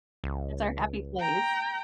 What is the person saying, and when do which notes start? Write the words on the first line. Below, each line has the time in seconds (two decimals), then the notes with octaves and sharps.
that's our happy place.
0.24 C#2
1.19 G5 A#5